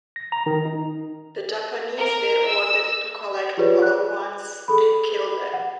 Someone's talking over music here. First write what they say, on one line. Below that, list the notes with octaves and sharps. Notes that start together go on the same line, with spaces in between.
The Japanese were ordered to collect Palauans and kill them.
A#6
A#5
D#3
D#4
A#4
E6
F4 G4 G#4 B4 C#5 D5
F#6
G#4 A4 B5
F#5